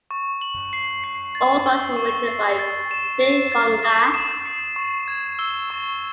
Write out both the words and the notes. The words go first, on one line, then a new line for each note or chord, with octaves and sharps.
All songs were written by Bic Runga.
C#6
F#7
C7
C7
A6
E6
C#6
C7
A6
E7
C7
A6
D#6
E7
C7
C#6
G#6
E6
C#6